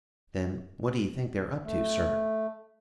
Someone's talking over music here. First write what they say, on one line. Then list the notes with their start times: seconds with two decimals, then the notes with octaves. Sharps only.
"Then what do you think they're up to, sir?"
1.63 A3